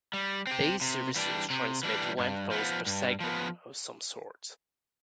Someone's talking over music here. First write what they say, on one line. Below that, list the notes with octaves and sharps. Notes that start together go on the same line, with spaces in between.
These services transmit one pulse per second of some sort.
G3
C4 G4
C3
E3 G3 D4
C3
E3 G3 D4
G2
F3 B3
G2
F3 B3